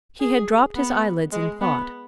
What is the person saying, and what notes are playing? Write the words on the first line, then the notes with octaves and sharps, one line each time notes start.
He had dropped his eyelids in thought.
G#4
B3
G#3
B3